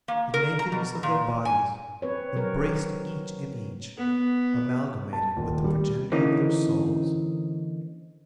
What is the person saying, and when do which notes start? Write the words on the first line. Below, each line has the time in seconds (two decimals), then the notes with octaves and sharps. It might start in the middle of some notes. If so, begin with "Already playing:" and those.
The nakedness of their bodies, embraced each in each, amalgamated with the virginity of their souls.
0.08 A#3
0.34 A#4
0.59 A#5
0.72 B2
1.03 A#2
1.45 G#5
2.02 C4 B4 C#5
2.36 F#3 A#4 C#5
3.98 B3
5.13 A5
5.37 D#1
5.64 G3
6.12 D3 E3 A#3 C4 C#4 D#4